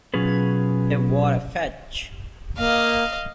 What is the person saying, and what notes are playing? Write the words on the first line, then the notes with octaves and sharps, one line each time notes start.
He wore a fez.
B2 F#3 C#4 F4 G#4 B4
A#3 D#5 F5